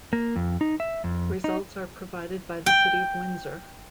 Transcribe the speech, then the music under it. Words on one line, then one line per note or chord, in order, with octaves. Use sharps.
Results are provided by the City of Windsor.
A#3
F2
D#4
E5
F2
D#4
G5